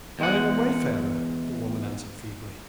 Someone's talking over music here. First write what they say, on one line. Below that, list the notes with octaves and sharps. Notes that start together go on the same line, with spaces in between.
"I am a wayfarer," the woman answered feebly.
E2 G#3 F#5